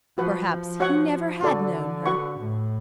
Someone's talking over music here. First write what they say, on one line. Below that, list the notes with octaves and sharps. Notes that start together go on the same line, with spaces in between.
Perhaps he never had known her.
F3 F#4 B4 F#5
F3
F#4 C#5 F#5 C#6
D3 F#4 A4 D5
F#4 B4 F#5 C#6
A2